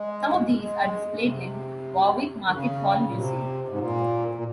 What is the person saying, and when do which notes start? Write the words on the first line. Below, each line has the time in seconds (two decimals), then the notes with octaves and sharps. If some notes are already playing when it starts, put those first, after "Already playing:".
Some of these are displayed in Warwick Market Hall Museum.
Already playing: G#3
0.59 G#3
1.14 C#3
1.23 C3
2.45 D#3
2.51 C#3
3.07 A#2
3.15 C3
3.68 G#2
3.79 A#2
4.35 A#2